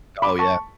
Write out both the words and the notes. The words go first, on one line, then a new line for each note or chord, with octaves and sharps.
Oh, yeah.
B5 D6
A5 C#6